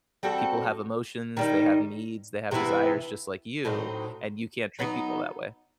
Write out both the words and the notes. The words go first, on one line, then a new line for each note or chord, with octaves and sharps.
people have emotions, they have needs, they have desires just like you, and you can't treat people that way."
G3 C4 F#4 A4
D#3 G3 D#4
C3 E3 B3 E4
A2 F#3 C4 D#4
F#3 B3 D#4